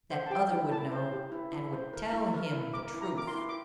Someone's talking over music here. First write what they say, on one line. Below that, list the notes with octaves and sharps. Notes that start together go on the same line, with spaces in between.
That other would know, and would tell him the truth!
C5
A5
G4 G5
E4
E4 A5
C5
G4
E4
E4
C5
A#4
E4
A#4
E4
A#4 D6
E4
A#5
A#4 D6
C6
E4
D6